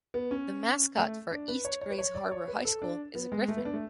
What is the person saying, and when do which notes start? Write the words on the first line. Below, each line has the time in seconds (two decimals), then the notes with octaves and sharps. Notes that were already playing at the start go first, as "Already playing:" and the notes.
The mascot for East Grays Harbor High School is a Gryphon.
0.14 B3
0.31 C#4
0.98 A3
1.31 D4
1.48 B4
1.65 C#5
1.82 C#5
1.90 B4
1.99 C#5
2.15 D5
2.32 C#5
2.48 B4
2.65 A4
2.82 D4
3.15 B3
3.32 G#3
3.48 A3
3.57 B3
3.65 D4
3.74 A3